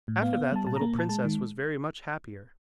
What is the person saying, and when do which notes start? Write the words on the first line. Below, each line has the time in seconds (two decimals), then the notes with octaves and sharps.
After that the little princess was very much happier.
0.08 A2
0.22 B3 F5
0.33 F5
0.37 B3
0.44 F5
0.52 G3 A5
0.66 A#2 A5
0.76 A#5
0.81 A#3
0.95 A#2 A5
1.09 G#3 A5
1.25 D#3